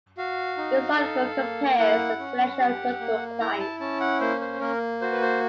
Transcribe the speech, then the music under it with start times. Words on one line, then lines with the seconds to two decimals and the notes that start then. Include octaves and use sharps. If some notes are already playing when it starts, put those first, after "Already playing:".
This article compares a selection of notable clients.
0.18 F#4 F5
0.58 D#4
0.97 A4
1.38 A#3
1.78 E4 F#5
2.19 C#4
2.60 G4
3.00 A#3
3.40 E4 A#5
3.60 A5
3.80 C#4 A5
4.00 F#5
4.21 A#3 C5
4.41 C5
4.60 A#3 A#4
5.01 F#4 C5
5.12 B4
5.22 C5